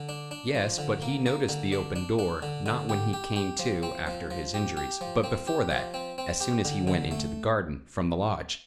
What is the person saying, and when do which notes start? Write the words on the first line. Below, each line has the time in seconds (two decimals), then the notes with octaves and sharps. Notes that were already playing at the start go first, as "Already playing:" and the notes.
"Yes, but he noticed the open door, not when he came to after his injuries, but before that, as soon as he went into the garden from the lodge."
Already playing: D3
0.09 D4
0.31 D4
0.55 F3
0.78 D3
1.02 A#3
1.26 A#3
1.49 D3
1.72 D4
1.96 D4
2.19 D4
2.42 D3
2.66 D3
2.89 G4
3.13 G4
3.36 G4
3.59 F3
3.83 C4
4.07 F3
4.31 F3
4.54 G4
4.77 G4
5.01 F3
5.24 C4
5.47 G4
5.71 F3
5.94 C4
6.18 C4
6.40 G4
6.65 D3
6.87 D3
7.11 A3